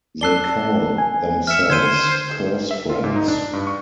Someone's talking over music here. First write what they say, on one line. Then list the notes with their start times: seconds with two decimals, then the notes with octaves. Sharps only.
They call themselves Curse Friends.
0.21 D5 A5 E6 F#6 C7 G7
0.98 G#5
1.47 E5 F6 C#7
1.70 D3 C5 G#6 D#7
2.71 E5
2.89 F4
3.04 G#2
3.16 D#4
3.28 D4
3.53 G2
3.67 C#6